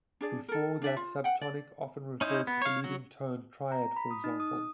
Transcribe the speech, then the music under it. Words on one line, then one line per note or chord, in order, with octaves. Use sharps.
Before that subtonic often referred to the leading tone triad, for example.
D4 G#4 D5
A4 A#4
D4 D5 E5
F4
F#5 G5
D5
C#4 D#4 E4 C5
B3
C#5 F5
F#3 F#4
A#5
B5
D#6
D#4
D#6